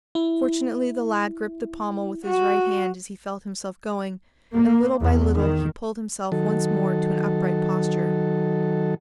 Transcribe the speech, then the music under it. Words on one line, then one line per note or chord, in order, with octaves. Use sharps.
Fortunately, the lad gripped the pommel with his right hand as he felt himself going, and little by little he pulled himself once more to an upright posture.
E4
F#4
A#3
E2
D#3
D#3 F#3 A4